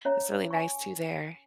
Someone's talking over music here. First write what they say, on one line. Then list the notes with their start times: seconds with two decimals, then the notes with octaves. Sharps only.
It's really nice too there.
0.05 C#4 C#5 E5 A#5
0.51 G#5 C#6